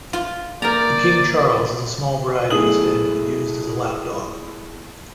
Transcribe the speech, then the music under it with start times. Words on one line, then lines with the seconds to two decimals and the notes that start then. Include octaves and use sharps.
The King Charles is a small variety of the spaniel used as a lapdog.
0.13 F4
0.62 A#3 A#4 D5 A#5 G6 D7
2.50 B1 A3 E4 G#4 D#6 F#7